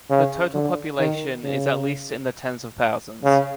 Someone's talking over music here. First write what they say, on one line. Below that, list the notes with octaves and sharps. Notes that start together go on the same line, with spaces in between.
The total population is at least in the tens of thousands.
C#3
D3
D#3
C#3
C#3